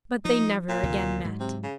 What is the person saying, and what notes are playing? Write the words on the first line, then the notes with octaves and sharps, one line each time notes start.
But they never again met.
F3 D#4
A#2
D2 C3 D#3
G#2 F#3
C3
C#3